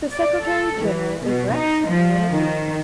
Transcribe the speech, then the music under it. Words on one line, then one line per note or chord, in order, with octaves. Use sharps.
Its Secretary General is Rex Rumakiek.
D5
A4
E3
B2
D#4
F3
D#3